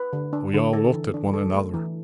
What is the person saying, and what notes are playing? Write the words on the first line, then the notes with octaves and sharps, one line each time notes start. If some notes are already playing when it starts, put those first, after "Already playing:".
We all looked at one another.
Already playing: B4
D3
D4
D3
A4
E3
D4
A4
A3
E3